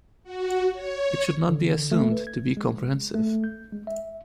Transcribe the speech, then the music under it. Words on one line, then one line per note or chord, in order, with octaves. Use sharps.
It should not be assumed to be comprehensive.
F#4
C#5
D3
A3
B4
G#6
G#3
A3
G6
G#3
E5